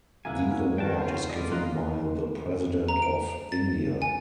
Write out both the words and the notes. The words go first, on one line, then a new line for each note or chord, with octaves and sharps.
The award is given by the President of India.
G#3 A#3 B3 E4 G#5
C#4
D#3 F#4 G5 A5
F#3 C#4 F4 C5
B3 F4 D5 D#5
F4 D#5 A#5 C6 F#6
A#5
D7
A6
G#5